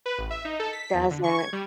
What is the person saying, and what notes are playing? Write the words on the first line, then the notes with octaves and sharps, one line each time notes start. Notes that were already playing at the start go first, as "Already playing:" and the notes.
It doesn't.
B4
A1
E5
D#4
A4
B6
E2
D3
C#6
G#6
G3